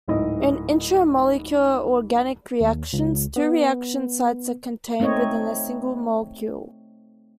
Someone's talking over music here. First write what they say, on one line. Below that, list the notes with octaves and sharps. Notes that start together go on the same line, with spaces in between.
In intramolecular organic reactions, two reaction sites are contained within a single molecule.
D1 G#2 E4 D#5
D#2
C#2
B3
A3 C4 D#4 C#5 D#5